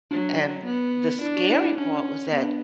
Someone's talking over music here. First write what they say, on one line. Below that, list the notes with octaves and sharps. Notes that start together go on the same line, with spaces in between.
and the scary part was that,
F#3 D4
B3
D4 E4
F#4
E4
E4
C#4 D4
B3 C#4
D4